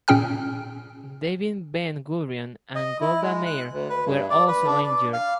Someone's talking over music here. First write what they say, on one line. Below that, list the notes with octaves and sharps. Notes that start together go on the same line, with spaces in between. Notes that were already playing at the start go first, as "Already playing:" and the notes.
David Ben-Gurion and Golda Meir were also injured.
A#2 C#4 G#4 G5 F6
D#5
E4
G#3
F#6
D2
B4
G2
D5
B4
D4
D5
F5